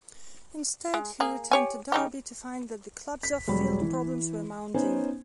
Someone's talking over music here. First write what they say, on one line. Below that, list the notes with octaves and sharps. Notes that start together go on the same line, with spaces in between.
Instead he returned to Derby to find that the club's off-field problems were mounting.
G#3
A#3 G#4
G4 C#5 G#5
C#3 D#4 G4
B6
E1 F#3 G3 B5
E3
B3 C#4 D#4 C5 G#5